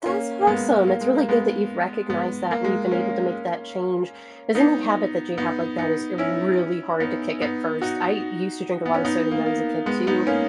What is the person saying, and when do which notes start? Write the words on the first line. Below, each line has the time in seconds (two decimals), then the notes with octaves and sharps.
That's awesome. It's really good that you've recognized that and you've been able to make that change, as any habit that you have like that is, uh, really hard to kick at first. I used to drink a lot of soda when I was a kid too,
0.06 A#3 C#4
0.41 A#3
0.47 G#3 B3
0.87 A#3
1.01 G#3
1.15 A#3
1.29 G#3 B3
2.10 G#3 B3
2.51 A#3
2.64 G#3
2.91 A#3 C#4
4.55 B3 D#4
5.38 B3 D#4
5.78 B3 D#4
6.18 C#4 E4
7.00 B3 D#4
7.42 B3 D#4
7.82 D#4 F#4
8.85 B3
8.95 C#4
9.05 B3 D#4
9.31 A#3
9.46 A#3
9.86 G#3 B3
10.07 B3 D#4
10.27 A#3 C#4